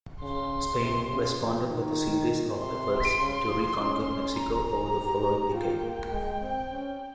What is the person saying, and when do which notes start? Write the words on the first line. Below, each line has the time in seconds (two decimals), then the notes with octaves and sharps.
Spain responded with a series of efforts to reconquer Mexico over the following decade.
0.22 C#3 C6
0.80 C3
1.10 C#3
1.39 F3
1.69 D#3
2.58 C3 C6
3.17 C#3
3.47 F3
3.76 C#4
4.36 A#5
4.94 G4
5.53 F4 G5
5.83 A#3
6.12 G#3
6.42 C4
6.72 C#4